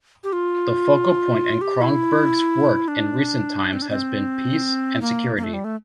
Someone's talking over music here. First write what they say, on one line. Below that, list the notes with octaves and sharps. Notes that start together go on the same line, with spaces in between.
The focal point in Cronberg's work in recent times has been peace and security.
G4
F4
G4
E4
D4
C4
D4
C4
A#3
A#3
A3
G3
A3